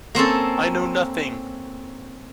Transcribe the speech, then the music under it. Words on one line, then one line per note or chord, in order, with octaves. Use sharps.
I know nothing!
A#3 C4 C#4 A4